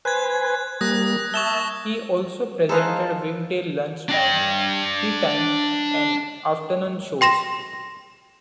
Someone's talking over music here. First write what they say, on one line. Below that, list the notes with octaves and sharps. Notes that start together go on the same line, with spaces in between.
He also presented weekday lunchtime, teatime and afternoon shows.
B4 C5 G#5 F#6 G#6
G3 A#3 D#6 F#6 A#6
E5 A5 C#6 E7 G7
D#4 G#4 A4 B4 C5 D#5 F5
D4 G5
G5 C6 A#6 E7